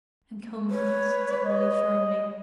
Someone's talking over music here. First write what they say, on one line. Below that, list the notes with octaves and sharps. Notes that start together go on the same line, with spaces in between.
"Encumbrance," said Wally firmly.
B4 C#5
D#5